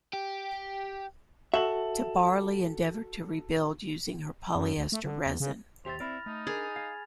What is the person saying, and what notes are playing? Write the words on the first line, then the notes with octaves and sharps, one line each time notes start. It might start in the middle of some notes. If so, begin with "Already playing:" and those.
Tabarly endeavoured to rebuild her using polyester resin.
G4
F#4 A4 E5 E7 F#7
F#2
D2
A3
D3
E2
C#3
D#2 G4 C5 E5 A6 F7
C4 E4 D5 B5 F6 A#6
A3 D#4
D4 G#4 A#4 A6 F7
F5 G#6